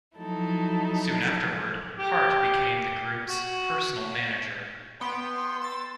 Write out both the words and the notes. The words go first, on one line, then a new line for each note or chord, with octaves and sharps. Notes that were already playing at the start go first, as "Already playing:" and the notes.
Soon afterward, Hart became the group's personal manager.
F3 F#3 D#4 E4 A4
G4
F#4
B3 G5 C6
E6 A6